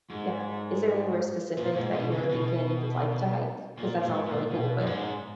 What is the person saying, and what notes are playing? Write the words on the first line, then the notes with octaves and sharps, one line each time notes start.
Yeah. Is there anywhere specific that you're thinking you would like to hike, 'cause that sounds really cool, but
G#2
A#2
G#2
B2
C#3
B2
A#2
G#2
A#2
B2
F#2
G#2